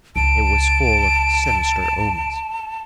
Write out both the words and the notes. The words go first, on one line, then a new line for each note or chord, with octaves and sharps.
It was full of sinister omens.
C#2 A5 D7